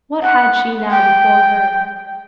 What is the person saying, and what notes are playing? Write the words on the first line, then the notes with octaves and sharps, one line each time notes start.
What had she now before her?
F#5
G5